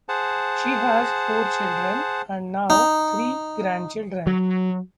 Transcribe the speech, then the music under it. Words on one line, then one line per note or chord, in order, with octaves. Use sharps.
She has four children, and now three grandchildren.
G#4 C5 F#5 A5
D#4
F#3